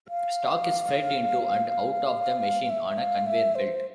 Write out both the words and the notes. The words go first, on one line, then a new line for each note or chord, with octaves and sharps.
Stock is fed into and out of the machine on a conveyor belt.
F5
E5
F5
E5
C5